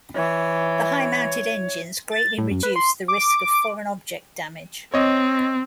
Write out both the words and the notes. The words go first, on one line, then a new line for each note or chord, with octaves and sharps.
The high-mounted engines greatly reduce the risk of foreign object damage.
E3 C#5
A6
A2
F#2
B4
C6
D6
C4 C#5 D#5